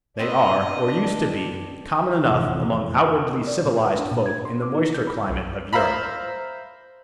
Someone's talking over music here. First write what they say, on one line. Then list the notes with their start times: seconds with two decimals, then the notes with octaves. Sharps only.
They are, or used to be, common enough among outwardly civilised folk in the moister climate of Europe.
0.19 B3 C4 D4 D#5
2.24 A1 F2 C3 E3
3.47 D5
3.65 A#2
3.85 B4
3.99 D4
4.11 A#2
4.26 G#6
4.45 C6
4.62 D6
4.75 D#4
4.94 G6
5.07 B5
5.29 B1
5.73 C5 E5 F5 A#5 B5